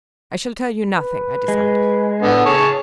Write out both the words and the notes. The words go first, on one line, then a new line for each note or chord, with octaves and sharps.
"I shall tell you nothing," I decided.
B4
G#3
A2 D3 B3
C#3 G#4 C#5 A5